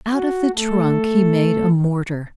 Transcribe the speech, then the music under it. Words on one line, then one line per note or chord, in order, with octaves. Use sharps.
Out of the trunk he made a mortar.
F#4
A3 A4